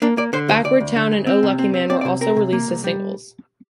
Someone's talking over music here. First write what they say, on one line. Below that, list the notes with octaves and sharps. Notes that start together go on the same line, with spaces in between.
"Backward Town" and "O Lucky Man" were also released as singles.
A#3 D4
A#3 D5
D3 C5
D2 C5
D2 D5
D2
D3
D2
C4
C3
C4
C4
C4 D5
D5
C3 C5
C4 A#4
C3
A#3
C2
G3